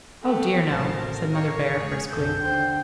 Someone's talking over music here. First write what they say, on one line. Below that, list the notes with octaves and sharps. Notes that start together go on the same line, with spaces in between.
"Oh dear, no," said Mother Bhaer, briskly.
A3 B3 G4
A1 C3 F#3 A#4 C5 A5
A#3 C#5
E2 G#2 G#4
B1 F#2 C3 A4 G6
D#2 D3 C5 G5